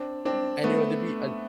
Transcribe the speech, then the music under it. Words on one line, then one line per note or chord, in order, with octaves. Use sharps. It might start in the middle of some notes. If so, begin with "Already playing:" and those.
and, you know, to be an
Already playing: C4 D4
C4 D4
A3 B3